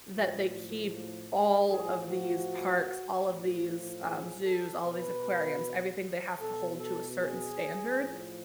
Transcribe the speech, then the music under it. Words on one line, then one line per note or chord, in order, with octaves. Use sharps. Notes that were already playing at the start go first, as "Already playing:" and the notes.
That they keep all of these parks, all of these, um, zoos, all of these aquariums, everything they have to hold to a certain standard,
A2 F3
A2 F3 G#4
F#4
A2 F3
G#4
A4
B2 B4
B2 A4
A4
G#4
A2 F3